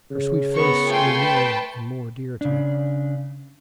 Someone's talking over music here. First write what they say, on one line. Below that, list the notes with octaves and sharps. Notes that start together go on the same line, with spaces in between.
Her sweet face grew more and more dear to me.
C#3
B3 A#4 C#6
A3 F4 G5 G#5 C6
B4 G5 A5
C#3 D4